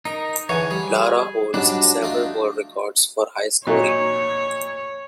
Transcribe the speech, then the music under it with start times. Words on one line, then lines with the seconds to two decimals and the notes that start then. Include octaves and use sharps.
Lara holds several world records for high scoring.
0.05 D#4 A#4 D#5 A#5
0.49 E2 D3 E3 C#5 G#5
0.71 G3 G#4
1.54 G#2 F#3 G3 D4 F#4 A5
2.03 A3 D#4 F4
3.67 A#2 F#3 D#4 C#5